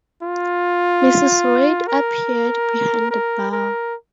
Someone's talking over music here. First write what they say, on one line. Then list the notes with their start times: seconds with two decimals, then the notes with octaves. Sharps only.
Mrs. Reid appeared behind the bar.
0.23 F4
1.88 A#4
3.11 A#4
3.52 A#4